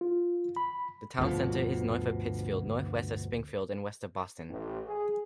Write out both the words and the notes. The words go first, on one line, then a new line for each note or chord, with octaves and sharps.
The town center is north of Pittsfield, northwest of Springfield and west of Boston.
F4
B5
G1 D2 B2 F3
A1
G#4